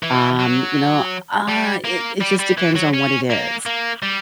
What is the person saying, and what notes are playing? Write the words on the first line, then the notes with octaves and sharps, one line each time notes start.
um, you know, ah, it it just depends on what it is,
E3
F#3
G3
A#3
G3
G3
E3
F#3
C#4
A#3
A#3
G3